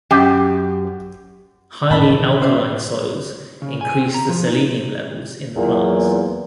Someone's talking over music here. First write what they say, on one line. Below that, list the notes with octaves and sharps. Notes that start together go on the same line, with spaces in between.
Highly alkaline soils increase the selenium levels in the plants.
F#2 G4
A2 C4 C#4 A5 B5
C3 E3
C#4 C5 D5 E5
C#3
G#5
C4
A#5
F3
D#4
E2 A#2 F#3